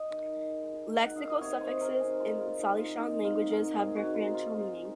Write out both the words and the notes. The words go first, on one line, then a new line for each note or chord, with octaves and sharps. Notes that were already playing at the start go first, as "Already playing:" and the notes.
Lexical suffixes in Salishan languages have referential meaning.
Already playing: D#5
D#3
G#3
G#3
D#3
F#5
D#4 F5
D#5
C3 C#5
C5
C3
A#4
D#4
G#4
G#3 F4
F4
D#4
D#4
C3
F4
D#3 D#4
D#3 F4
G#2 A#4
G#2 G#4
F#4
D#4
F4
G#2
F4
D#4 F4
D#4